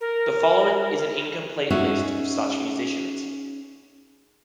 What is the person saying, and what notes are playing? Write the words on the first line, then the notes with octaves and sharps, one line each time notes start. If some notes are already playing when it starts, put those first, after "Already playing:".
The following is an incomplete list of such musicians.
A#4
C#4 D#4 F#4 G#4 E5